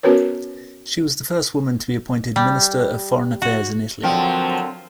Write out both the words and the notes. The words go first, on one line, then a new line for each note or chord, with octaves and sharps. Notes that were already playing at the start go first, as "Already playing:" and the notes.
She was the first woman to be appointed Minister of Foreign Affairs in Italy.
B3 C#4 F#4 A#4 B4 C#5
G3
F#4
D3 F3 F#3 C4 A#4 G5